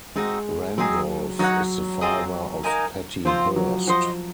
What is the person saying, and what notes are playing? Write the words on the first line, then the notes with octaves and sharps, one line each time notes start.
Randolph is the father of Patty Hearst.
G#3 C4 D#4 F#4
F#3 C4 D#4 G#4
F#3 D#4 F#4 C#5 F#5
C4 F4 G#4 D#5
D#4 A#4 F5 G#5
F3 C4 F4 C5
F#3
F3 F#4 C5 D#5